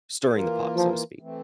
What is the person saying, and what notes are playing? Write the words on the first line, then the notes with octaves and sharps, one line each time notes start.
"Stirring the pot", so to speak
E3 A#3 F4 A#4
F3
E3 A3 C4